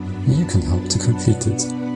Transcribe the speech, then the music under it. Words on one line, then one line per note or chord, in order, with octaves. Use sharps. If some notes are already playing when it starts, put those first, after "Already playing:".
You can help to complete it.
Already playing: F#2 F#3 B3 D4 B5
A5
A5
F#5
B2 B3 D4
B5